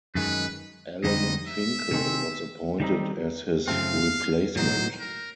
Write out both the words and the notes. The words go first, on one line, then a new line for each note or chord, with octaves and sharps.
Alan Finkel was appointed as his replacement.
F#2 D#3 G#3 B4
F2 D3 G3 C4 D#4 D#5
E5
C3 D#3 G#3 C4
D#3 G3 C4 D#4
F#2 C#3 F3 A3 C4 F5
A2 F#3 B3 D#4 C5
A#4